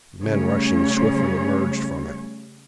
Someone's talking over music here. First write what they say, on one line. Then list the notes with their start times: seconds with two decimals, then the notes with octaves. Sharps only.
Men rushing swiftly emerged from it.
0.22 C#3 G3 A3 C#4 C#5